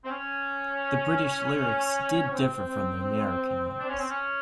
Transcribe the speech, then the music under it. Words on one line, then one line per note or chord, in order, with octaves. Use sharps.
The British lyrics did differ from the American ones.
C4
C#4
C#4
C4
D4
C#4
C4
C#4